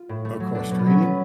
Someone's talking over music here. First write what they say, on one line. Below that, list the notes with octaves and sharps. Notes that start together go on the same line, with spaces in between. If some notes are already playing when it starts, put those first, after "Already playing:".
Oh, cross-training?
Already playing: F4
A2
A3
F#3
B2 D4
B2
B3
F#3 C#4
F#3 B4